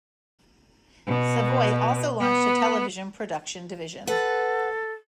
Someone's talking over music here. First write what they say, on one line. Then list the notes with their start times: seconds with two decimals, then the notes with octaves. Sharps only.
Savoy also launched a television production division.
1.07 B2
2.20 B3
4.07 A4 B4 F#5